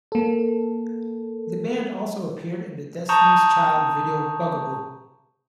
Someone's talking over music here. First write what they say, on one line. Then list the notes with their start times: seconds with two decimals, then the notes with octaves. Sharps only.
The band also appeared in the Destiny's Child video "Bugaboo".
0.12 A#3 A4
3.09 A5 A#5 C#6 D#6 G6